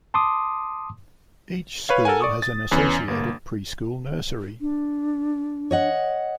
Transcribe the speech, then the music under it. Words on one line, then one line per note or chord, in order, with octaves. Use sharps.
Each school has an associated pre-school nursery.
A5 C6 D6 D#6
B4 C#5 F5
A4 A#4 F#5 G#5
D5 C#6 D#6
A6
E2 C#4 B4 G#5
G1 A#3
D4
C#5 D#5 F#5